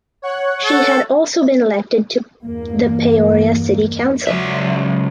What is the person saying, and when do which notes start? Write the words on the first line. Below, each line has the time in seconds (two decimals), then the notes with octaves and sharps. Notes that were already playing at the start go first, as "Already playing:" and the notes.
She had also been elected to the Peoria City Council.
0.22 C#5 F#5 F#6
0.65 A4
2.43 E2 G2 A#3
4.27 C#2 F#3 E5